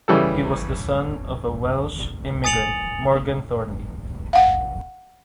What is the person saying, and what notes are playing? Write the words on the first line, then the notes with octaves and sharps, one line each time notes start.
He was the son of a Welsh immigrant Morgan Thornley.
C#3 E3 G3 A4
G#5 D#6 A6 C#7 F7 F#7
F5 F#5